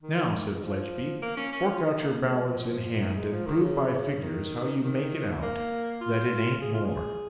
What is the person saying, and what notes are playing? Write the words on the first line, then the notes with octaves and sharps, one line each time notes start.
'Now!' said Fledgeby. 'Fork out your balance in hand, and prove by figures how you make it out that it ain't more.
D#3
G#3
F3
A#3
C#4
C#4
F4
D#4
A#3
G#3
F3
D#3
G#3
F3
D#3
C#3
D#3
D#3
A#3
F4
G#4
F4
G#4